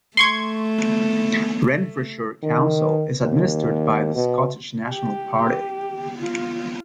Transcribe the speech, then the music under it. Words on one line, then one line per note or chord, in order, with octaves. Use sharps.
Renfrewshire Council is administered by the Scottish National Party.
A3 C6 C#6 G#6
D#3
D#2
B2
G4
F4